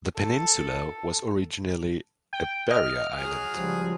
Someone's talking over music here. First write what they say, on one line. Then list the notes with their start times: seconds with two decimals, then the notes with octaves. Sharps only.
The peninsula was originally a barrier island.
0.18 A4
2.33 G5
2.71 D#5 F6
3.17 F#3 G#4 D#6
3.53 C#2 F3 G3